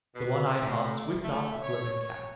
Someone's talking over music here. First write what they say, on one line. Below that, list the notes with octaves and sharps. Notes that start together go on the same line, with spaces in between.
The one-eyed Hans whipped off his leathern cap.
B2
A2
A3
C#5